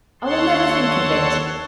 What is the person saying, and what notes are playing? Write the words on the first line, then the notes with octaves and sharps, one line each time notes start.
I will never think of it.
D#2 A4 C#5 F#5 A5 C6